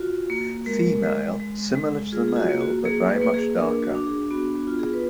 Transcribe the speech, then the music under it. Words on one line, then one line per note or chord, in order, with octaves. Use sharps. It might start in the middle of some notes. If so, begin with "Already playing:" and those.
Female similar to the male but very much darker.
Already playing: F4 F#4
A#3
G#3 A#4
G#3
G#3
G#3
F4 G#4
G#4
F#4
A#3
F#4
A#3 G#4
B4
A#3
G#4
D4 A#4
F#4
D4
G#4
B3 F#4
F#4
F4
G#4
B4